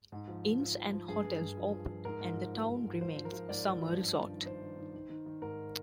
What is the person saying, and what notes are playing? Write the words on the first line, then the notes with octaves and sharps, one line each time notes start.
Inns and hotels opened, and the town remains a summer resort.
G#2
F3
F3
F3
F3
F3
G2 G#4
G2
G2
F3
F3
F3
G#2 A#4
G#2
F3
F3
G#2
G#2
F3 C5
F3
A#4
F3
G#2 D5
F3
F3
G2
G2
D#3
D#3 C5
D#3
D#3
D#3
D#3
D#3
G#2 A#4